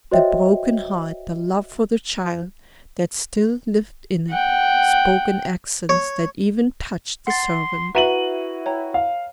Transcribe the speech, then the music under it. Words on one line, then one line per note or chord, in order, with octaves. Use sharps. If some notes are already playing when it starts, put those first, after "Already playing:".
The broken heart, the love for the child that still lived in it, spoke in accents that even touched the servant.
F#4 C5 C#5 D#5 E5 G5
F#5 G5
C#5
F#5 C6 A6
E4 F#4 B4 E5 A#5 D#7 F#7
C#5 G5 A#5
F5